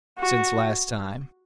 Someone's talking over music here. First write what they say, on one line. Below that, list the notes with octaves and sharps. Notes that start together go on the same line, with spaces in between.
"Since last time?"
F#4